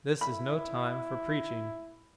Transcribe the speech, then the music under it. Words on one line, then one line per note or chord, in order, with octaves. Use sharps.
This is no time for preaching!
E4 B5